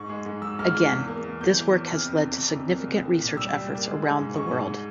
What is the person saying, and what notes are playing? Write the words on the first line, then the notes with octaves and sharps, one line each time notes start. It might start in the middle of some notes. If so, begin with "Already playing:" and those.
Again, this work has led to significant research efforts around the world.
Already playing: G#2 C#6
G#3
G#2
G#2 E6
G#2 F6
G#2 F6
E2
A#3
E2
E2 G6
E3
E2
C3 F6
F2
F2
F2
C3
A#3
C2
A#3
A#2
G3 E6
G3
A#3
G#3
G#3
G#2
G#2 C#6
G#2